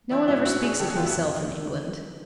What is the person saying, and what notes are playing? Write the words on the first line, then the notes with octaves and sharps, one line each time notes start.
No one ever speaks of himself in England.
E3 D4 E4
G#2 E4 F#4
A2 E4 F#4
A2 F#4 G#4
D3 G4 A4
F#4 G#4
F2 F4 G4
E4 F#4
C3